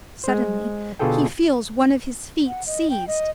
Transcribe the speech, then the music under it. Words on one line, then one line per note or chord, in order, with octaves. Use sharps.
Suddenly he feels one of his feet seized.
G#3 C5
B2 D3 F4 G#4 A4 G5
F#5
D#5
G5
D#5